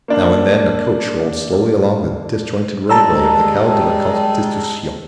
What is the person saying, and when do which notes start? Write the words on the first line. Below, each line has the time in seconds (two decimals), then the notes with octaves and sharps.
Now and then a coach rolled slowly along the disjointed roadway of the Calle de la Constitucion.
0.08 A#3 D4
2.89 G3 G#3 A5 A#5 E6